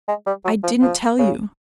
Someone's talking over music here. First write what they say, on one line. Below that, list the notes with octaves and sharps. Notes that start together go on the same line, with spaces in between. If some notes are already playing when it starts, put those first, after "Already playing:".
I didn't tell you.
G#3
G3
F#3
F3
F3
C#3